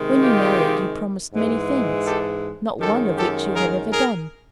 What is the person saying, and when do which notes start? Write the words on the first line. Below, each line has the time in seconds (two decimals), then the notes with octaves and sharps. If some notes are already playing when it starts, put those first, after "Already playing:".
"When you married, you promised many things, not one of which you have ever done."
Already playing: C3 D#3 G#3
0.21 F4 G4
1.32 G#2 E3 G#3
2.06 G4 A4
2.80 F#2 D#3 G#3 G4 A4
3.17 G4 A4
3.55 G#4 A#4
3.91 G#4 A#4